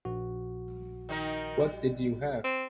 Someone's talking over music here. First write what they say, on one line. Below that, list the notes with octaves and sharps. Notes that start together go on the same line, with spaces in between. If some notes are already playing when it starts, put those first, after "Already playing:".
What did you have?
A#1 F#4
D#3 D#4 A#4
G3
C4